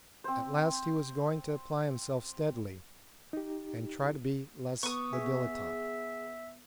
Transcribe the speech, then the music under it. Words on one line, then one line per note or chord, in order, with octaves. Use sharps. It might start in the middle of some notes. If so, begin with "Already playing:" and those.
At last he was going to apply himself steadily and try to be less the dilettante.
C4 C5
D#4 G4
B3 C#6 D#6
G#4 E5